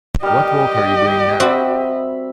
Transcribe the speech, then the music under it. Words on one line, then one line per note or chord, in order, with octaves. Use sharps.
What work are you doing now?
G3 G4 A#4 D#5
C4 F#4 E5 B5